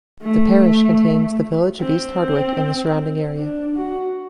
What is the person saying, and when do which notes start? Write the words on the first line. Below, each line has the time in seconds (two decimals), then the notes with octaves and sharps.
The parish contains the village of East Hardwick and the surrounding area.
0.22 A3
1.80 C4
3.38 D4
3.77 F#4